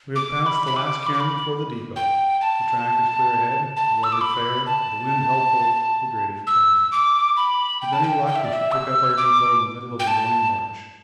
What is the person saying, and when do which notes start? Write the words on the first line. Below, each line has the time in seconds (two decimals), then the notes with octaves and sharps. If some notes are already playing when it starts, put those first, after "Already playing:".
We have passed the last cairn before the depot, the track is clear ahead, the weather fair, the wind helpful, the gradient down--with any luck we should pick up our depot in the middle of the morning march.
0.16 D6
0.46 B5
0.67 B5
0.76 D6
1.07 B5
1.13 D6
1.20 B5
1.96 G5
2.41 A5
3.77 A5
4.04 E6
4.12 D6
4.21 B5
4.66 A5
6.47 E6
6.92 D6
7.37 B5
7.82 G5
7.93 A5
8.04 G5
8.27 G5
8.36 E5
8.45 D5
8.53 E5
8.72 E6
9.17 D6
10.00 G5
10.07 A5